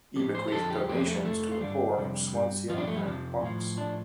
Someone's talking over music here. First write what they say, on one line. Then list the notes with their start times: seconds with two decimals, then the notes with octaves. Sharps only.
He bequeathed donations to the poor of Swansea and Box.
0.16 A2 F3 G4
0.35 C5
0.48 G4
0.52 F2 D3 F3 A4
0.70 G4
0.88 F2 D3 F3 G4
0.97 C4
1.06 A3
1.15 G3
1.24 F2 D3 A3
1.29 F3
1.52 F4
1.61 G2 D3 G3 D4
1.97 F2 C3 G3
2.33 G2 G3
2.68 G2 F3 F4
2.78 D4
2.88 A3
2.96 G3
3.05 F2 C3 F3
3.40 A2 F3
3.77 A2 F3 D4